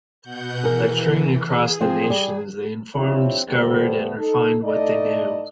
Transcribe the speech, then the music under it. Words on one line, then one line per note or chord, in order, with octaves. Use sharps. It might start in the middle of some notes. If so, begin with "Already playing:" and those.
Lecturing across the nation, they informed, discovered, and refined what they knew.
B2 F#5 G6
E3 G#4 A#4
G#4
F3 C4 F4
G3
F3 C4 D4 E4 G4 C#5
E2 G3 A3 B3 A4 C5
D#4 A4
A2 A3 D#4 A4 D5 D#5